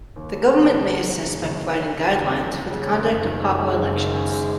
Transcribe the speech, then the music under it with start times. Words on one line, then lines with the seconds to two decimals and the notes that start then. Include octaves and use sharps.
The Government may assist by providing guidelines for the conduct of proper elections.
0.16 D#2
0.33 F#3
0.52 C#3
0.71 D#2
0.88 D#2
1.07 F#3
1.25 C#3
1.42 D#2
1.60 D#2
1.79 F#3
1.97 C#3
2.16 D#2
2.34 D#2
2.51 F#3
2.70 C#3
2.87 D#2
3.06 F#1
3.24 D#3
3.42 F#2
3.59 G#3
3.79 F#1
3.96 D#3
4.14 F#2
4.32 G#3